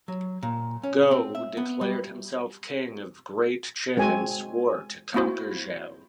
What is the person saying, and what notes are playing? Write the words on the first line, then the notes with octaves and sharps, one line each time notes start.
Gou declared himself King of Great Qin and swore to conquer Zhao.
F#3
A#2
C#4
C4
E5
B3
G3
G#3 C4 F#4 G#5
A#3 C4 E4 F#4 C5